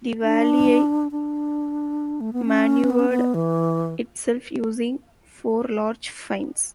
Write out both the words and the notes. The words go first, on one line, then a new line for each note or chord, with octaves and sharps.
The Walleye maneuvered itself using four large fins.
D4
D4
A3
B3
C#4
B3
C#4
B3
E3